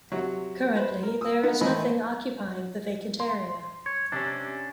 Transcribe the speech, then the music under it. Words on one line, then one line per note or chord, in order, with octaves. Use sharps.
Currently, there is nothing occupying the vacant area.
C3 F#3
B4 C5
A#4
D#6 E6
B3 D#4 F4 A#4
A2 D#3 E3 D#5 B5
C6
C#5
C3 C#4 D4